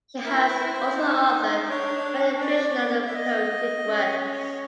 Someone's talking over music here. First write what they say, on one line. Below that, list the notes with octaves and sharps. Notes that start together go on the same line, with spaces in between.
She has also authored many fictional and poetic works.
E4 A#4
B4
E4
C5
D#4
D4 C#5
C#4 D5
B3
E5
D#5
C#4